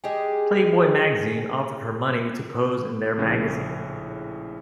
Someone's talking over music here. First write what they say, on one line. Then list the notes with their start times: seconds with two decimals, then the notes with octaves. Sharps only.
Playboy Magazine offered her money to pose in their magazine.
0.04 G#3 G4 G#4
3.18 A#1 A2 C#3